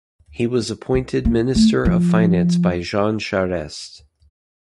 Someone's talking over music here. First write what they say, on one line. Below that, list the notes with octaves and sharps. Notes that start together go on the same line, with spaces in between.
He was appointed Minister of Finance by Jean Charest.
C4
A#3
A3
F3